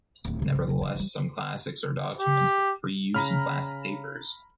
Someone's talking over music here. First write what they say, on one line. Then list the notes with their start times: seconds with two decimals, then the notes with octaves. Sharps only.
Nevertheless, some “classics” are documents of free use in Classic papers.
0.25 D1 D#2
0.39 G#2 C#3
0.55 B1
0.68 E1 F#3
0.82 E3 D4
0.96 E3 G3
2.20 G4
3.14 C#3 A#5 B5 F6